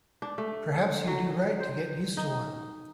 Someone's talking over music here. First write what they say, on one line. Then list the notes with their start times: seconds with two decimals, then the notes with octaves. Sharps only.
Perhaps you do right to get used to one.
0.22 D4
0.38 A3
1.07 F#3
1.60 C5
2.17 D#4